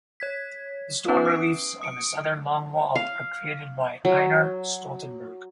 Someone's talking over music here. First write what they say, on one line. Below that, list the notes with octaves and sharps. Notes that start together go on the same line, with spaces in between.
The stone reliefs on the southern long wall are created by Einar Stoltenberg.
C#5 G#6 B6
B3 C#4 D#4 B4
D#6 C7 D7
D#6 C#7 D7
F5
F#3